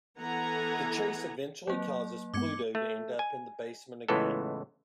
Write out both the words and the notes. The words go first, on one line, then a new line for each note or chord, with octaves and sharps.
The chase eventually causes Pluto to end up in the basement again.
E3 B3 A4 F#5 G#5 A#5
F#3 A#3 C4 C5
G2 G#3 B3 D6 G#6 C#7
A3
G#5
C#2 A2 E3 G#3 B3 A4